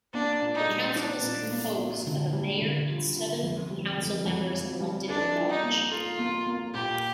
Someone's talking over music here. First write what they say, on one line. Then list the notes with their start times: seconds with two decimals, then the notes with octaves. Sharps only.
The Council is composed of a Mayor and seven Council Members elected at large.
0.13 A#3 D4
0.41 A#2
0.55 D#4
0.69 G3
0.96 D4 D#4
1.23 A#2
1.51 A#3
1.78 A#3
2.07 D3
2.33 G3
2.62 D3
2.89 F4
3.15 F4
3.43 F2
3.70 G3
3.98 F2
4.25 F2
4.53 F2
4.80 G3
5.08 D4 A4
5.36 F4
5.49 D#4
5.64 A#3
5.91 F4 A4
6.19 A#3
6.47 A#3
6.74 A#2 G4